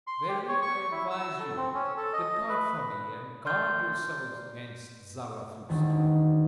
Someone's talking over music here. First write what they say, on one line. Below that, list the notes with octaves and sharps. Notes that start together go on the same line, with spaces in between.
Verily, I advise you: depart from me, and guard yourselves against Zarathustra!
C6
G4
C#5
C#6
E4
E6
A4
C4
C#4
A4
D#5
B4
D5 C6 F6 G6
E1 D2 D#3